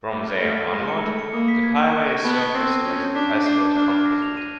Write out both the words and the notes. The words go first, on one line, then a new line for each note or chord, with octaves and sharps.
From there onwards, the highway is surfaced with asphalt composite.
A3 D6
F6
A3 B6
B5
G#3 A#6
C#7
A3 B5
C#7
A#3 D#6
B6
G#6
C#6
F#6
C#6
B3 A5
F#6
C4 A#6
D#7
C#4 D#6
G6
D4 B6
G6
D4 C7
G#6
D4 F6
D6
A#6
F7
D#7